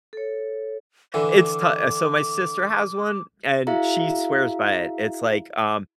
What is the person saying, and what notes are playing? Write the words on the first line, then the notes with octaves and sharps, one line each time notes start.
It's to Uh, so my sister has one, and she swears by it. It's like, um,
A4 C#5
D3 E3 D6
E4 F#4 G#4 E5 F5 A#5